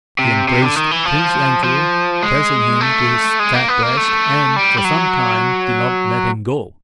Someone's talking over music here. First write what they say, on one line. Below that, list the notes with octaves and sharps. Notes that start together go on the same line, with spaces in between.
He embraced Prince Andrew, pressing him to his fat breast, and for some time did not let him go.
C3
C3
D3
D#3
E3
F3
F3
G#3
A3
G#3
A#3
B3
A#3
A3
G3
G3
F#3